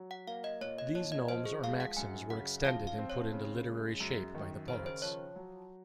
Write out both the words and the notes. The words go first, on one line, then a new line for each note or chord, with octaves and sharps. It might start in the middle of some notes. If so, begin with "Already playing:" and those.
These gnomes or maxims were extended and put into literary shape by the poets.
Already playing: F#3
F#5
A#3 F5
D#5
A#2 C#5
D#5
F3 C#5
D#5
F3 C5
G#4
G#3 F5
F#5
F#2 G#5
C#3 F#5
F3 F5
F5
C4
C#5
C#3
G#3
F#2
D#3
C#3 C5
C5
F3 C#5
F#3